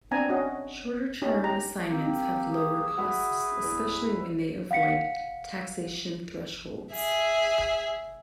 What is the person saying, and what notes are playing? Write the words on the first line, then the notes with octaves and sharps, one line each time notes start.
Shorter term assignments have lower costs, especially when they avoid taxation thresholds.
B3 C4 D4 G#5 A#5
C#4 F#4 D#5
C#4 D#4 G4
G4 A#5
A#3 C4 G4
G#4
E6
F#4 B4 E5
E2
F5 F#5 B6 C#7
G#4 E5